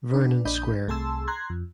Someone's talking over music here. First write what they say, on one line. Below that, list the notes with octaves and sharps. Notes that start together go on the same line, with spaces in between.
Vernon Square.
D4 B4
A#1 D4 D#5 B5 G6
C2 A3 G#4 A5 C6 E6
A#5 C6 F#6 G#6
F2